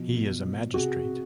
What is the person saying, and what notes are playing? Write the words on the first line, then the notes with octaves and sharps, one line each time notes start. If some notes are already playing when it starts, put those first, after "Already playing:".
He is a magistrate.
Already playing: B2 F3
B2
B2
C3 F#4 G#4
C3